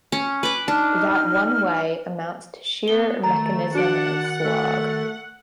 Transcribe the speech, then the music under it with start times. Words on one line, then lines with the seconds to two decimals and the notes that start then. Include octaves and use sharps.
That one way amounts to sheer mechanism and slog.
0.12 C#4
0.43 B4 D6
0.68 D4 D#4 F6
2.88 B3 G7
3.24 D#3 A3 A#5 A6
3.75 D4 F#4 F#5 D7
4.44 A3